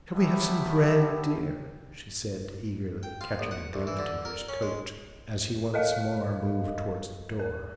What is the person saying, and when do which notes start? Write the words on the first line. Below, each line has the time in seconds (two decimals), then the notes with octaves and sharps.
Shall we have some bread, dear?' she said eagerly: catching at the undertaker's coat, as he once more moved towards the door.
0.14 F#3 G3 A3 B3 E4 G4
3.03 G5
3.21 F4
3.39 A#1
3.51 F#5
3.74 C2
3.87 E3
3.99 D3
4.25 A#4
4.49 C#4
4.62 G#3
5.74 A4 A#4 D#5 F5
7.39 A#4